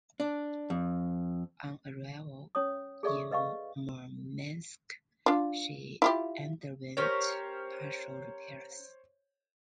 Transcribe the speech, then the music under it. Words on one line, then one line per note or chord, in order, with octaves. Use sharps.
On arrival in Murmansk she underwent partial repairs.
D4
F2
C#4 C#5 D#6
G#4 A4 D5 E5 C#6
B4 D#5 F5 C#6
D4 F4
E4 F4 G4
C#4 G4 A#4 C5 C#5